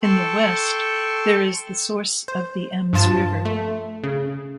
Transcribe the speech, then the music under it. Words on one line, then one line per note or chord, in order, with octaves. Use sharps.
In the west there is the source of the Ems river.
A4 G5 A5 C6 C#6
C5
G2 F3 F4 A5
A3
C#3